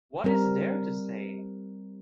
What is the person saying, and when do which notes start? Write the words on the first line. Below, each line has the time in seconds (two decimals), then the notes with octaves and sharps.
What Is There to Say?
0.24 G3 C4 A#4